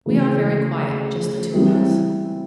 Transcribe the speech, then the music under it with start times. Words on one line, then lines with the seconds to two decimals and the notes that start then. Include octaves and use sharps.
We are very quiet, just the two of us.
0.06 D2 C#3 E3
1.54 E3 G3 C4 E4